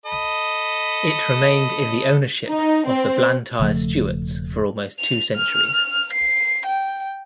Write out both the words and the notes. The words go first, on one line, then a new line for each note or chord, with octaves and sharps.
It remained in the ownership of the Blantyre-Stewarts for almost two centuries.
A4 D#5 B5
D#4
C4
E1 C#3 F3 A3
F7
F6
C7
G5